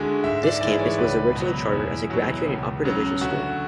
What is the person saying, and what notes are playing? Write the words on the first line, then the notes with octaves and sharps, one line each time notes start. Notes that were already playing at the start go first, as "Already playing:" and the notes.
This campus was originally chartered as a graduate and upper division school.
Already playing: D2 D3 G#3 F#4
G#2 E5
D5
E3 G#3 D5
C#5
C#2 B4
B2 F#3
E2
B2 F#3
C#2
C#3 F#3
D2 F#4